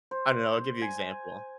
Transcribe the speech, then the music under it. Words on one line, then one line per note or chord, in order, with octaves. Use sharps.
I don't know, I'll give you example.
C5
G#5